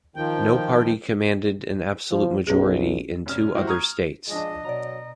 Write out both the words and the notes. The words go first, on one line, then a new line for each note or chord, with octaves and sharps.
No party commanded an absolute majority in two other states.
D#3 F3 G5
F3
B1 C#4 G#4
F1 C#4 F6
E3 G#3 E4 F#4 G4 C5
A#5 C#6 D#6 F6 G#6
F3 G#3 D4 D#5
B2 F#3 D5 A#5